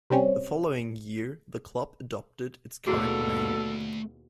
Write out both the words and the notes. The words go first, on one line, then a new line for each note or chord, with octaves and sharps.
The following year the club adopted its current name.
C3 G3 C4 C#4
D#2 B2 A3 E4 F#4 G#4 A4 D5